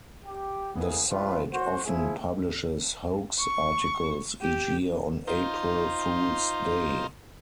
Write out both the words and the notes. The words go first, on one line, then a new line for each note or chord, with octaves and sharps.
The site often publishes hoax articles each year on April Fools' Day.
G4
E2 C#3 E3 A#3 B3 G#4
C#3 G3 A3 C4 F4 B4
A1 F#4 C5
F3 G#3 E4 G#4
C#6
G4
D#4 F4 C5